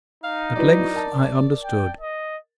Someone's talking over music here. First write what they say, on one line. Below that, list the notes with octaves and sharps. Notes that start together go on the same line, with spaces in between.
At length I understood.
D#4 F5
F#3 E4 B4 D5
A#4 A5
G5
D#5